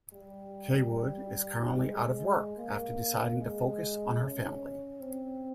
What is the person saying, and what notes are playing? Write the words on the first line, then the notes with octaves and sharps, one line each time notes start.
Cawood is currently out of work after deciding to focus on her family.
G3
G#3
A#3
G#3
C#4
C4